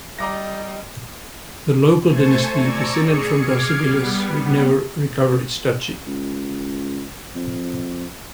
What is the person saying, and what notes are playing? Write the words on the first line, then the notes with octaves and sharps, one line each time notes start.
The local dynasty, descended from Docibilis, would never recover its duchy.
G3 D#5 A#5 D6 A#6
A3 C5 G#5 A5 C#6 G#6
D5 A#5 C#6 E6 G#6
G#4 C#7
D6 F6 G#6 C7
G3 B3
C#2
F2